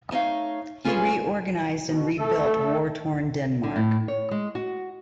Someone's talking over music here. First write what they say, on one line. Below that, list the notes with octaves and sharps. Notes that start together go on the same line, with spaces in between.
He reorganized and rebuilt war-torn Denmark.
A3 D#4 C#5 F5
C#4 F4 G#4 B4 C#5
B2
A3 A4
D3
A2
C#5
G#3
F#4